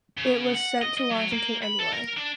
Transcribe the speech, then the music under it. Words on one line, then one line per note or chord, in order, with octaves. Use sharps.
It was sent to Washington anyway.
C#3
F#5
D#5
D#5
F#3
A#3
B5
A4
A#4
D4